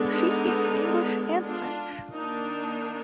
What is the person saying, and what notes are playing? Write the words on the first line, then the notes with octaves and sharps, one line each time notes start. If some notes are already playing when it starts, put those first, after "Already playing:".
She speaks English and French.
Already playing: D3 G#3 B3
D#4
D4 F4
D#3 A#3 D4 D#4